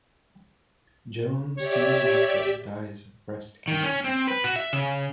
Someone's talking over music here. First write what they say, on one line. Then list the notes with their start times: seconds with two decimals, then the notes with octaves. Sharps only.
Joan soon after dies of breast cancer.
1.58 G4 C#5 D5 E5
3.68 D#3
3.83 C#4
4.04 C4
4.28 B4
4.44 F#4
4.56 E5
4.73 C#3